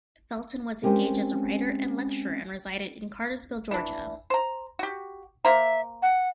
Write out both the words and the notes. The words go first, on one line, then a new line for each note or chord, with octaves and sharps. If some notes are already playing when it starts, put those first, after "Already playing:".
Felton was engaged as a writer and lecturer and resided in Cartersville, Georgia.
G#3 C4 C#4 G4 A#4
E3 D4
C5 A#5
F#4 G4
A#3 C5 E5 A#5
F#5